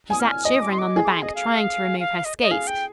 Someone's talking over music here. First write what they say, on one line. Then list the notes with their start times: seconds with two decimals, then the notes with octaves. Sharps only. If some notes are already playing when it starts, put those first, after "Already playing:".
She sat shivering on the bank trying to remove her skates.
0.10 G#5 D#6
0.20 F6
0.44 D#5 D#6
0.62 D6
0.71 C6
0.79 D6
0.96 G#4
1.04 D6
1.09 C6
1.22 D#5
1.35 F5
2.00 F5
2.25 D#5
2.42 D#5
2.51 G#4 F5
2.67 G5